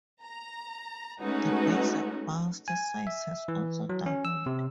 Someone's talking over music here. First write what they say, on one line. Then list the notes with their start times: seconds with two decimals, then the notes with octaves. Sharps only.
The basic burst size has also doubled.
0.22 A#5
1.22 G#3 A3 C#4 D#4 F#4 B4
2.68 G#5
3.07 E5
3.48 E3
3.89 F#3
4.06 C#4
4.25 E6
4.46 C3